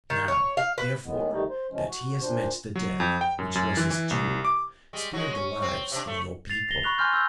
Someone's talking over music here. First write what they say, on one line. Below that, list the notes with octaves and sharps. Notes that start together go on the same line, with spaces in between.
Now, therefore, that he has met the death which was his due, spare the lives of your people.
D#3
C#5
F5
B4
A2 D#3 G#3 B3
D2 C3 D#3 G3 A3 D#4
C5
B2 E3 F3 G#3 C#4
F#4
A#2 D4 C5
F#3
F2
G5
F#2
F#2
E3
E3
C2
D6
G3 G#3
F#3 G#3
C#4
C4
C3 D4
A3
A6 C7 F7
A#6 G7
B5 C#6 F#6 F7
G#5 C6 F6 G6
E6 G6